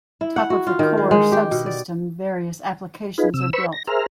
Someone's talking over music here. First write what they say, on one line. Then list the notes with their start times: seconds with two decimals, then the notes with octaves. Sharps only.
On top of the core subsystem various applications are built.
0.21 E4
0.36 F#5
0.50 F#4
0.67 F4
0.79 D#3
0.98 G#3
1.11 G#3
1.32 G4
1.51 B2
1.66 D5
3.18 D#4 F4 G#4 B4
3.34 C3 E6
3.53 B4 C5 B5 C#6 E6
3.73 A#6
3.87 G#4 A#4 C5 E5 A#5 F6